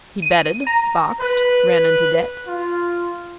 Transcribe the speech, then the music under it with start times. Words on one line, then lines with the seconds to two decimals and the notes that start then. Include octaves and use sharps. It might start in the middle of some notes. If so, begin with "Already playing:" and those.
He betted, boxed, ran into debt.
0.22 D#7
0.67 A#5
1.20 B4
2.47 F4